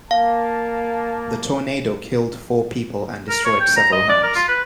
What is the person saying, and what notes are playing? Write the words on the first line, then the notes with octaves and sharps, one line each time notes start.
The tornado killed four people and destroyed several homes.
A#3 F5 A5
A#4
C#5
G5
A#5
D#5
D5
A#4
F4
B4